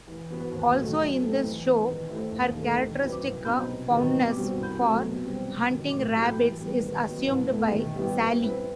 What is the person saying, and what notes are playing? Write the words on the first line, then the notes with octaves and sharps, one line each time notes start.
Also in this show, her characteristic fondness for hunting rabbits is assumed by Sally.
E3
B3 F#4 B4
D#2
D#3 F#3 A3
F#3
A3 C4 D#4
E3
B3 D#4
D#3
A3 E4 G4 C5
D#2
D#3 A3 D#4 A4
D#3
F#3 C4 E4 B4
C2
B2 F#3 C4 D#4
C3
D#3 F#3 B3 D#4
B2
G3 C4 F#4
C2
C3 F#3 A3
B2
G3 C4
C3
D#3 F#3
A2
F#3 A3 E4 G4
E3
G3 B3
D#3
F#3 B3
C2
B2 A3 E4
D#3
G3 B3 E4 G4
G3
C4 E4 B4